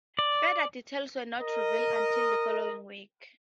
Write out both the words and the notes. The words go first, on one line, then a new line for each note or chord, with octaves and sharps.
Further details were not revealed until the following week.
D5
A#4 D#5